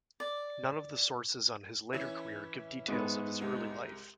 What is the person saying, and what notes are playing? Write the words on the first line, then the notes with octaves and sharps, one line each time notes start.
None of the sources on his later career give details of his early life.
D5
E3 C#4 E4
G#2 B3
C2 C3 G#3